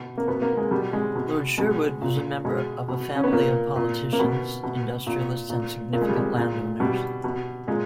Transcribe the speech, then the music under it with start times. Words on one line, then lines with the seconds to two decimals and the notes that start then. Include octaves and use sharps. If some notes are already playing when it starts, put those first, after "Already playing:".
Lord Sherwood was a member of a family of politicians, industrialists and significant landowners.
Already playing: B2
0.18 A#3
0.28 B2 B3
0.42 A#3
0.57 G#3
0.71 B2 G3
0.93 G#3
1.15 B2
1.58 B2 G#3
2.02 A#2
2.45 B2 G#3
2.88 B2
3.15 C#4
3.24 B3
3.32 A#2 A#3
3.76 A#2
4.13 A#3
4.19 B2 B3
4.63 B2
5.07 A#2
5.50 A#2
5.93 A#2 A#3
6.01 G#3
6.08 G3
6.16 G#3
6.36 A#2
6.80 B2 G3
7.24 B2
7.67 A#2 G#3